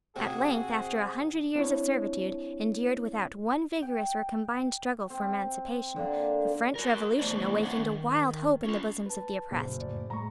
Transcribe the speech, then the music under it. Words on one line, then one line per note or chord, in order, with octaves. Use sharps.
At length, after a hundred years of servitude, endured without one vigorous or combined struggle for emancipation, the French revolution awakened a wild hope in the bosoms of the oppressed.
C3 C4 F#4 G#4
C4 D4 E4 C#5
G5
C4
D3 A#3 D4
F#4 A#4
E2 B2 A3 C5 D5
G#3 C4 C#4 E5 F#5
D#3
C#4 F4
B4 A5
F#1 A#2
F2 A2 D5
A2 G#3 A#5 C#6